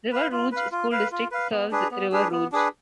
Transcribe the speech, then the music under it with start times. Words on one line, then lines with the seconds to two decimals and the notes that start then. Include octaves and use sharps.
River Rouge School District serves River Rouge.
0.12 B4 F5
0.32 F4
0.52 B4 F5
0.72 F4
0.91 B4 F5
1.12 F4
1.32 B4 F5
1.51 B3
1.71 D4 G#4 B4
1.91 B3
2.12 D4 G#4 B4
2.31 B3
2.52 D4 G#4 B4